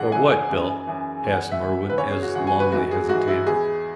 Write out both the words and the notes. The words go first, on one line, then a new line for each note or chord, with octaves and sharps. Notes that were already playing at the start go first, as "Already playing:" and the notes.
"Or what, Bill?" asked Merwin, as Longley hesitated.
Already playing: G#2 E3 G#4 F#5
G#2 E3 G#5
G#5
F#2 E3
F#2 E3
E2 E3 G#5
F#5
E5
E2 E3
B4
E2 C#3 E3 C#5
G#4
F#4
E2 C#3 E3 F#5
G#5
B4
G#2 E3 F#4
G#4
G#2 E3 F#4
E4
E2 E3 G#4